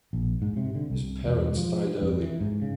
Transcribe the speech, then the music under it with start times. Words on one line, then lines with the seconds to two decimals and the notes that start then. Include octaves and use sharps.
His parents died early.
0.13 A#1
0.42 G#2
0.57 C3
0.75 D3
0.90 C2
1.25 E1
1.57 F3
2.02 F2
2.20 E3
2.40 G#2
2.62 C#3